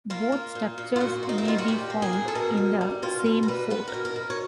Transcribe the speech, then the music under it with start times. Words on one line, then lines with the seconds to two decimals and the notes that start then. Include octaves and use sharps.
Both structures may be found in the same fort.
0.10 A#3 F4
0.32 A#3
0.55 A#2
0.78 A#2
0.96 F4
1.00 A#2 F#4
1.23 A#3
1.29 D#4
1.38 E4
1.45 G3 F4
1.58 F#4
1.68 A#2 G4
1.90 A#3
2.02 G#4
2.13 A#2
2.28 A4
2.35 B2 A#4
2.57 B2
2.81 G3
3.02 B2 F4
3.26 B2
3.43 A#4
3.48 G3 B4
3.70 B3 B4
3.87 A#4
3.94 B2
4.05 A#4
4.16 B2
4.30 C#5